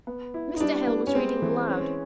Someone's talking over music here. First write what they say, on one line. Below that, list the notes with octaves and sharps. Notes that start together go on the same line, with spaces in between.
Mr. Hale was reading aloud.
B3
E4
D#4
G3 D4
B3
C#4
G#3 C4
E3
C#4